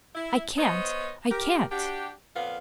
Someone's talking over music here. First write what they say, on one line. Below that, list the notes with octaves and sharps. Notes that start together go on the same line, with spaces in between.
"I can't--I can't!"
E4
B3 C5 C#5 D#5
G4 A#4
D4 F#4 G4
F2 A#2 B3 F5